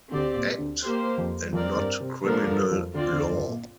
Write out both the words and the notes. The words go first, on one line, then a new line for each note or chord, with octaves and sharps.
Act and not criminal law.
D2 D3 C4 G4 D5
A#2
D2 D3
A#3 G4 C5
F2 F3
G3
F2 F3 C4 A#4 D5
G2 G3
C3 C4
A#2 D3 F3 A#3 D4 A#4
G2 G3
F2 F3
D2 D3 C4 F4 D5
D2 D3
G2
A#2